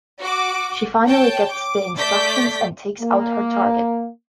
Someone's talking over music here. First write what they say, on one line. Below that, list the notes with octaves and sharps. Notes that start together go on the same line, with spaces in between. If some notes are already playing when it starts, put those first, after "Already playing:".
She finally gets the instructions and takes out her target.
F#4 D6
C#5 G5 A5
D6
A3 D5 D6 G6 B6
A#3